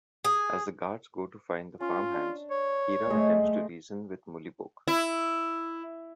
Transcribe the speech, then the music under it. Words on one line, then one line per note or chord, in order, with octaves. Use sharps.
As the guards go to find the farmhands, Kira attempts to reason with Mullibok.
G#4
C#4 F4
D4
C#5
A3 G#4 C5 D#5
E4